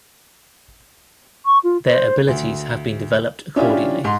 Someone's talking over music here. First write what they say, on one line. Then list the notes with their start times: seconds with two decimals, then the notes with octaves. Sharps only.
Their abilities have been developed accordingly.
1.46 C#6
1.64 F4
1.86 C5
2.28 D2
3.56 C#4 D4 E4 F4 G4
4.04 G#2 C6